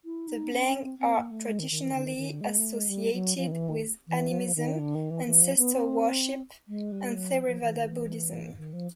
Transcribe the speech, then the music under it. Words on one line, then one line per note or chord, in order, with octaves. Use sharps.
The Blang are traditionally associated with animism, ancestor worship, and Theravada Buddhism.
E4
D#4
C#4
C#4
C4
C4
A#3
A3
G#3
D#3
D#3
E3
D#3
D3
D#3
D#3
D3
G#3
A3
G#3
G3
F#3
F3
D#3
E3
D#3
E3
F3
F#3
F3
D#3
D3
D#3
E3
E3
F3
B3
C4
G#3
G3
F#3
F3
F3
E3
D#3
E3
D#3
F3